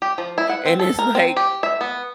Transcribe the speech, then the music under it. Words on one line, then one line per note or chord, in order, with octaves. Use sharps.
and it's like,
G4
F3
E4
F#5
C4
A4
A#4
C4
G4
E5
B3